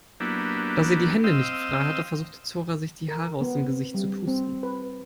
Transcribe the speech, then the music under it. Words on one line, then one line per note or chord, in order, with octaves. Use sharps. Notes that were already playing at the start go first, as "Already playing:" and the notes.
Da sie die Hände nicht frei hatte, versuchte Zora sich die Haare aus dem Gesicht zu pusten.
F#3 A#3 B3 D4 E4 G4
C4 D#5 F5 G5 E6
A#4
B3
C4
G3
C4
B4